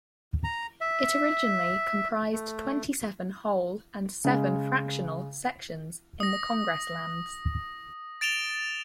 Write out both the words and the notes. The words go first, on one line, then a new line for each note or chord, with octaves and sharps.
It originally comprised twenty-seven whole and seven fractional sections in the Congress Lands.
A#5
E5
A3
C#3 G#3
D#6 A#6
A6 D7 E7 F7 G7